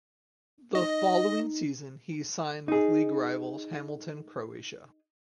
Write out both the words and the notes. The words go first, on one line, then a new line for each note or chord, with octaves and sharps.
The following season he signed with league rivals Hamilton Croatia.
D#4 D#5
D#4 G#4